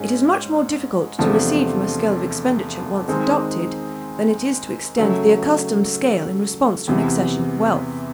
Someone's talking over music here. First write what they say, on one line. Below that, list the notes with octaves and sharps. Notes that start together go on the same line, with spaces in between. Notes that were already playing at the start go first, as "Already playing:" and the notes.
It is much more difficult to recede from a scale of expenditure once adopted than it is to extend the accustomed scale in response to an accession of wealth.
Already playing: G#2 G#3 C#4
E2 C3 F3 A3 D4
D#3 G#3 C4 D#4
C#3 F#3 A3
E2 C3 E3